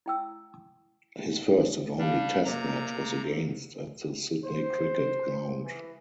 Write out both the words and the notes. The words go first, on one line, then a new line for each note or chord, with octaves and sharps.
His first and only test match was against at the Sydney Cricket Ground.
E4 G5 E6
G3 D4 F5
C3 A#3 A#5
C5
E3